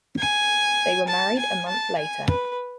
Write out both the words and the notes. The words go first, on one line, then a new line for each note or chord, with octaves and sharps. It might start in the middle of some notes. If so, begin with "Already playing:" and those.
They were married a month later.
G#5
A5
G#5
A5
G#5
B4